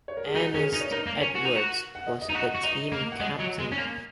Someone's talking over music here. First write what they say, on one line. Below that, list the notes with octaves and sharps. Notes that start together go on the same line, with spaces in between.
Ernest Edwards was the team captain.
C#5
A#4
G#4
D#4 F#4
C#4 G#4
A#4
D#4
C#5
D#4 A#4
A#3
C#4
F#4
D#4
F#4
F#5
D#5
D#5
D#4
F#4 F#5
F#4
D#4 D#5
A#3
F#5
G#3 D#5
F#3
G#3
C#4
A#3